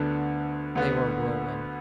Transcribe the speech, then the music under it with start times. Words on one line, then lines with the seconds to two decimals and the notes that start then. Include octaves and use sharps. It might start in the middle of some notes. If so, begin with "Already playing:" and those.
They were a whirlwind.
Already playing: D2 D3 B3 D4
0.75 D2 D3 B3